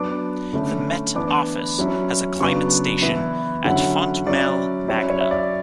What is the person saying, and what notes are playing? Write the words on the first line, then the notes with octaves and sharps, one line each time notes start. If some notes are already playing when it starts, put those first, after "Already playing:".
The Met Office has a climate station at Fontmell Magna.
Already playing: F#3 B3 D4 D6
D3 A3 C#4 E4
E3 B3 D4 D6
F#3 C#4 E4
C#3 F#3 B3 D4 C#6
E3 B3 E4
D3 F#3 C#4 E4 F#5
F#3 C#4 E4 D5
F#3 C#4 E4 C#5
C#5
E5
D5